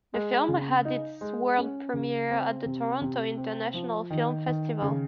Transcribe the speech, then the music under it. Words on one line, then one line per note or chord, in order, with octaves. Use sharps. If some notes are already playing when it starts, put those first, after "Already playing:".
The film had its world premiere at the Toronto International Film Festival.
G#3
C#3
D#4
G#3
C#4
C#3
C4
C3
C3
C4
F3
D#3
D#3
C#3